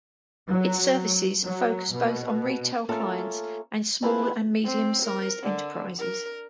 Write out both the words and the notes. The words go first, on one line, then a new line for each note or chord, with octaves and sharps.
Its services focus both on retail clients and small and medium-sized enterprises.
F#3
F#3
B2
A3 A#3 C#4 F4 A4 A#4
A3 C4 E4 F4 G#4 B4
C4
A#4
D3
A#4